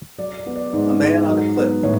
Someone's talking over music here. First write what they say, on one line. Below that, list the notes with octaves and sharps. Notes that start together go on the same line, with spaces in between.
A man on a cliff.
F#3 D5
D5
B3
D5
G#2 D5
G#2
F#3
B3
A2 C#5